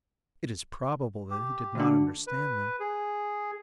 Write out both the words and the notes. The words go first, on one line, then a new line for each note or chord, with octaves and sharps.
It is probable that he did not understand them.
G4
D2 D3
B4
G#4